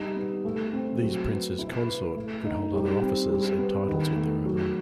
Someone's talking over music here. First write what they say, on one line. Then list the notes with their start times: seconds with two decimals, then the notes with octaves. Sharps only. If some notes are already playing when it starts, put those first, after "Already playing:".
These princes consort could hold other offices and titles in their own right.
Already playing: G3 D#4
0.16 B3
0.45 A3
0.73 C4
1.02 F#3
1.30 B3
1.59 E4
1.87 B4
2.16 A3
2.45 D#4
2.73 G3
3.02 C4
3.30 G3
3.59 B3
3.88 D#3
4.16 A3
4.46 F#3